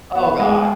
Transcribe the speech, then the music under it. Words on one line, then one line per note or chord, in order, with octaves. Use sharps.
Oh god.
B3
G#3